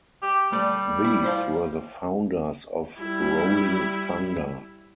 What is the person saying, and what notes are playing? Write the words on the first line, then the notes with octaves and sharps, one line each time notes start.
These were the founders of Rolling Thunder.
G4
G3 A3 D5
E4
C5 F5
G3 E4